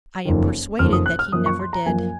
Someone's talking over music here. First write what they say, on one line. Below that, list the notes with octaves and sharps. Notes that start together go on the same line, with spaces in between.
"I am persuaded that he never did."
F#1 F2 D#3
F#1 F2 D#3 F6
D#6
F#6
F6
F#2 F3 A#3 D#6
C#6
C6
A#5
F#2 F3 A#3 G#5